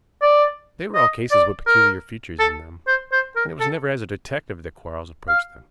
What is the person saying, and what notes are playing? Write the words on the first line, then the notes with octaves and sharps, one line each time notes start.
They were all cases with peculiar features in them, and it was never as a detective that Quarles approached them.
D5
D#5
D5
A#4
A4
C5
C5
A#4
A4
F5